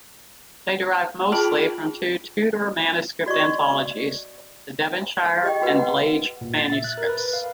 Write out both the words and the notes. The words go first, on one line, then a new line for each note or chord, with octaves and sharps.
They derive mostly from two Tudor manuscript anthologies, the Devonshire and Blage manuscripts.
F4 G#4 G5 A5 B5
F#4 D5 D#5 C#6
G4 D#5 G5
F#4 B4 D#5 F#5
A#2
A6
E5
F#6
A#4
B4
F5